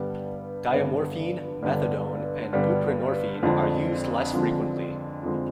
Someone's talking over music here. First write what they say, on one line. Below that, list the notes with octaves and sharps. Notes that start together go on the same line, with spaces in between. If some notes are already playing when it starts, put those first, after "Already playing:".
Diamorphine, methadone and buprenorphine are used less frequently.
Already playing: G2 D3 G3 B3
G2 D3 G3 B3
G2 D3 G3 B3
G2 D3 G3 B3
F2 D3 F3 G#3 C4
F2 D3 F3 G#3 C4
F2 D3 F3 G#3 C4